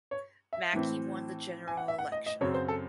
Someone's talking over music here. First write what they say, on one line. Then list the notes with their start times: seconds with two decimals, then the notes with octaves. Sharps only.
Mackey won the general election.
0.11 C#5
0.53 E5
0.73 A2 E3 C4
1.68 G#5
1.77 F#5
1.88 E5
1.98 F#5
2.12 D#5
2.26 D#5
2.41 F#2 C#3 F#3 C4 C#5
2.54 C5
2.68 A4